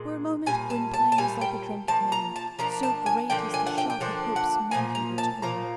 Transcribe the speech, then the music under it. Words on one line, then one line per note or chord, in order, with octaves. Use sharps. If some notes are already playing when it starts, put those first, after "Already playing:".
For a moment Gwynplaine was like a drunken man, so great is the shock of Hope's mighty return.
Already playing: A#2 G#3
A#2 G3 G#5
A5
A5
A5
A#2 G3 G#5
G5
F3 A#3 A5
A#5
A5
F3 A#3 D4 A#5
A5
G#5
D3 F3 A#3 D4 G5
G#5
F#5
G5
G5
D3 F3 A#3 D4 F#5
F#5
A#2 F3 A#3 G#5
A#5
A5
A#2 F3 A#3 A#5